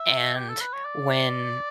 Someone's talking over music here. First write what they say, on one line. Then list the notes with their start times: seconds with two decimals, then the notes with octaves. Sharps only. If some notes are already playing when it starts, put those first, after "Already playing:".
and when
Already playing: E5
0.36 G4
0.49 A4
0.61 B4
0.73 C#5
0.85 D5